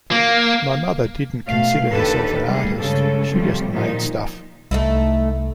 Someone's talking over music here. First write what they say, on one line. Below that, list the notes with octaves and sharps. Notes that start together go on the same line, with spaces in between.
My mother didn't consider herself an artist, she just made stuff.
A#3
B2 A3 F5
D#2 D3 D#3 G4 A4 B4
G3 A3 A#3 G#4
G2 C#3 G#3 A4
C3 F3 G3 A3
A#2 D#3 F3 D#4
C2 A3 D#4 E4